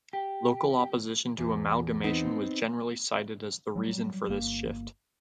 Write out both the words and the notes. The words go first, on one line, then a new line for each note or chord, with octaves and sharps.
Local opposition to amalgamation was generally cited as the reason for this shift.
G4
E2
B3 C4 D#4
F#3 G3
G1 A#3